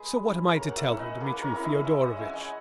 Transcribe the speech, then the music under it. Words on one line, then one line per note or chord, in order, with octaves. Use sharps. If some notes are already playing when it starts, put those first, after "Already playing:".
So what am I to tell her, Dmitri Fyodorovitch?
Already playing: G#3 G#4 B4
C#4 E4
A#3 A#4 C#5
F#5
C#5 E5
C#4 E4
D#5 F#5
A#3 G#4 B4
A#4 C#5
C#4 E4
B4 D#5
G#3 C#5 E5
D#5 F#5
C#4 E4 C#5 E5
G#5
D#5 F#5